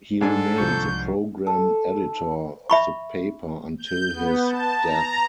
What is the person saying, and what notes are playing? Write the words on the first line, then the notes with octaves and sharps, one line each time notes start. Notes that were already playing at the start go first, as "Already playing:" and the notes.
He remained the programme editor of the paper until his death.
G#2 D4 A4 G#5
C2 F3 C#6 G6
A4
E5 B5 C#6
G6
B3
A5
A#5